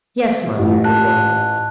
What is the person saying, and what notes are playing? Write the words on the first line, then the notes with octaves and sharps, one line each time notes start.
'Yes, my dear, it was.'
A1 F4 G4
A5 F#6